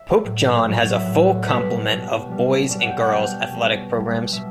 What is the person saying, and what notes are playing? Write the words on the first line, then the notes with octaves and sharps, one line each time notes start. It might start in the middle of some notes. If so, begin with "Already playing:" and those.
Pope John has a full complement of boys and girls athletic programs.
Already playing: E5
A2 F#3
A2 F#3
E5
A2 F#3 F#5
B2 G3 B4
B2 G3
B2 G3
B2 G3 D5
F#5
G5
F#5
B2 G3 G5
G5
B2 G3
B2
G3
B2 G3 E5